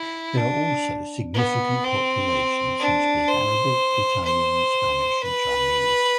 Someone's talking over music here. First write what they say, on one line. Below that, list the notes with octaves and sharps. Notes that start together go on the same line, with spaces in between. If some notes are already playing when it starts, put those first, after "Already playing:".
There are also significant populations who speak Arabic, Italian, Spanish and Chinese.
Already playing: E4
D4
B3
C4
D4
C5
C5
B4